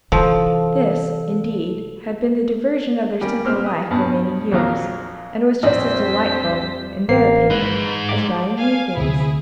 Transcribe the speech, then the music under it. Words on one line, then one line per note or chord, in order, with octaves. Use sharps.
This, indeed, had been the diversion of their simple life for many years, and was just as delightful, in their opinion, as buying new things.
C3 E3 F3 A4
G3 A#3 C#4
A#2 B3 C4 C5 F6
B4 D#6
G2 B2 B3 C#4 A5
A#1 F2 F3 F#3 F5 A#5
A#1 F2 G3 C5 D5 D#5 B6
A1 A#3 C7
G#3 D#4 B4
D6
F5 G#5
D2 C3 E4 G#4